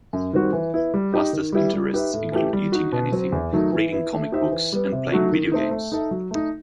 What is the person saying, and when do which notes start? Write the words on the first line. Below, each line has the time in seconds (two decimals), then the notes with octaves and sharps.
Buster's interests include eating anything, reading comic books, and playing video games.
0.13 F#2
0.33 D#3 G3 C4 F#4
0.53 E3
0.74 B3 E4
0.94 G3
1.13 D#4 G4 D#5
1.33 D#3
1.52 G3 B3 E4 G4
1.74 G3
1.93 D#4 G4 B4 E5
2.13 A2
2.32 E3 A3 E4 G4
2.53 G3
2.72 D#4 F#4
2.92 B2
3.12 F#3 C4
3.32 E2
3.53 D#3 F#3 A3 D#4
3.72 E3
3.92 B3 E4
4.13 A3
4.32 D#4 G4 C5 E5
4.51 E3
4.72 G3 B3
4.92 C3
5.12 F#3 A3 D#4 F#4
5.32 D#3
5.52 A3 C4 D#4
5.71 A3
5.92 D#4 A4 E5
6.11 F#3
6.31 A3 D#4